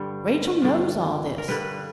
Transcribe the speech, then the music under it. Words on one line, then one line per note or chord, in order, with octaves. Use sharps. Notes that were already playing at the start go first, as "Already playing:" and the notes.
Rachel knows all this.
Already playing: G2 D3 G3
G2 D3 G3
A#4
G2 D3 G3 B4